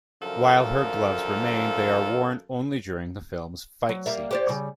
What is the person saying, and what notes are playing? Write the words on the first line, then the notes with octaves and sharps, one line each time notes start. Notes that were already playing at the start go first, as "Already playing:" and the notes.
While her gloves remain, they are worn only during the film's fight scenes.
F#2 D3 F3 A4 A#4 F5
F#3
G3 A#3 E5
G4 C5 D5
C#3 G3